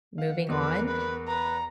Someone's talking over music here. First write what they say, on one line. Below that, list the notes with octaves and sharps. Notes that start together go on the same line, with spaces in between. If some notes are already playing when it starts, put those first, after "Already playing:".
moving on.
F5 F#5
E2 A#4 B4
B4
B4 A#5